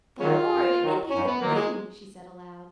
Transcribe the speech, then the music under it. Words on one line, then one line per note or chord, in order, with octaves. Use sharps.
"The horrid, impudent thing!" she said aloud.
D#3 F#3 G#3 C#4 F4
F#2
D#3 F#3
F#2 C#4
B3
D#3 F#3 A#3
G#3